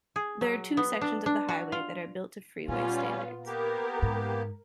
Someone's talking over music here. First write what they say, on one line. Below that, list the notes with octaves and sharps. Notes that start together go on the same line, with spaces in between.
There are two sections of the highway that are built to freeway standards.
G#4
F#3
B3
D4
D4
F#4
F4
A#2 G3 B3 C#4 F4
A#3 B3 G4 A#4
G#2